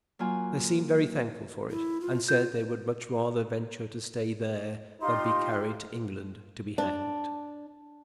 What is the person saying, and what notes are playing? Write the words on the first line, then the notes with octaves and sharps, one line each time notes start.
They seemed very thankful for it, and said they would much rather venture to stay there than be carried to England to be hanged.
F#3 A#3 F4 G#5
E4
F4
F4 G6
D#4 F4 G4 C6
D4